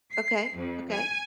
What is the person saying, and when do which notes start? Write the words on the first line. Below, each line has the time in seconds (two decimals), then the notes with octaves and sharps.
Okay, okay.
0.13 C7
0.55 F2
0.92 G#5